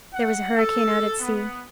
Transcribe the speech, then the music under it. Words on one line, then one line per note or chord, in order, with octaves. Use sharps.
There was a hurricane out at sea.
F#5
A4
B3